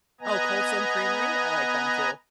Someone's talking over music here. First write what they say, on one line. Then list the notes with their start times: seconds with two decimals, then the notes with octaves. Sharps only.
Oh, Cold Stone Creamery? I like them too.
0.21 B3 B4 D#5 G#5 A#5